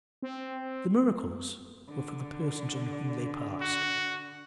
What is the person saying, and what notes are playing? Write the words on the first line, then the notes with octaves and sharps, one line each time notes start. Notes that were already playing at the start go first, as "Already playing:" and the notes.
The miracles were for the persons on whom they passed.
C4
D3
F#4